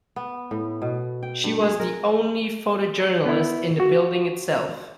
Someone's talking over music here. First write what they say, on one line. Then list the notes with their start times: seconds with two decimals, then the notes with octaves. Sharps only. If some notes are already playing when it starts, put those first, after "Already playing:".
She was the only photojournalist in the building itself.
0.16 B3
0.51 A2
0.82 B2
1.23 G5
1.44 G2
1.62 G#4
1.80 A#4
3.25 B3 E4
3.80 F#4